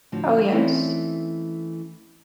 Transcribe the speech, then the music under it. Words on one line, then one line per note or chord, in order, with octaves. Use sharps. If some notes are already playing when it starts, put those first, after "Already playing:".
Oh yes.
A2 D3 F3 F#4
E3 A3 C4 C#4 D#4 E4